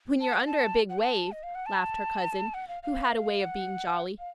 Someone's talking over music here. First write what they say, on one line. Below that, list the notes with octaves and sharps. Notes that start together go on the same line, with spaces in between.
"When you are under a big wave," laughed her cousin, who had a way of being jolly.
A5
F#5
A5
F#5
A5
D#5
F5
F#5
A5
F#5
F5
F5
F#5
F5